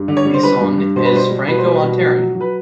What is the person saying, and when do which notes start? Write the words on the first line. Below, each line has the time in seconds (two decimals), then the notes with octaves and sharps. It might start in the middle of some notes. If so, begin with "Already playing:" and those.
Bisson is Franco-Ontarian.
Already playing: G2
0.08 D3
0.17 C#5
0.25 G3
0.34 C5
0.43 G3 B4
0.60 G2
0.78 G2
0.96 B2 C5
1.05 B4
1.13 G3 C5
1.31 G3
1.48 B2 B4
1.58 C5
1.65 G3 B4
1.83 B2
2.00 F#3
2.19 F#3
2.35 F#3
2.41 B4